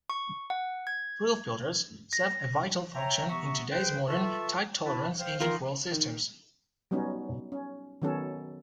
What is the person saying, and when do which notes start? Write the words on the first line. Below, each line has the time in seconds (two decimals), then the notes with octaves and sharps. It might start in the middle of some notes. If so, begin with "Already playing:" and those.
Fuel filters serve a vital function in today's modern, tight-tolerance engine fuel systems.
0.10 C#6
0.50 F#5
0.87 G#6
2.13 A#6
2.95 C#5 E5 G5 G#5 A#5
3.29 C3 B3 E5 A#5 C#6
3.71 G#4 B4 C5 G5
4.08 F4 A4 B4 E5 A5 C#6
4.85 E4 B4 A5
5.20 C5 F5 G5
5.40 D#3 D#4 F4 A#4 C6
5.92 D#3
6.91 F#3 G3 B3 C#4 D#4
7.52 C#4
8.02 D#3 F#3 B3 C#4 A4